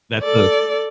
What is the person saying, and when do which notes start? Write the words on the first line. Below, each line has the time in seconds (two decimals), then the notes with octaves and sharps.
that's a
0.22 A4 D5